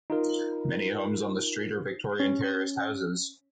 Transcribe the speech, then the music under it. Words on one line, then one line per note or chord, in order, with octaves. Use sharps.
Many homes on the streets are Victorian terraced houses.
D#4 F4 A#4
C#4